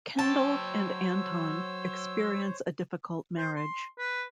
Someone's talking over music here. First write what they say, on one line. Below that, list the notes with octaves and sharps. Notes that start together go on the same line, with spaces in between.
Kendall and Anton experience a difficult marriage.
F#3 C5 C#5 G5 A5 E6
C5
C6
B4